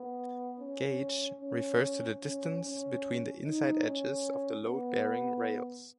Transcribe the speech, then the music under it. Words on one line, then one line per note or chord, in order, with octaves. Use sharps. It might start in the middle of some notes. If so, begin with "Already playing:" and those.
"Gauge" refers to the distance between the inside edges of the load-bearing rails.
Already playing: B3
C#4
C#4
C#4
C#4
D#4
C#4
B3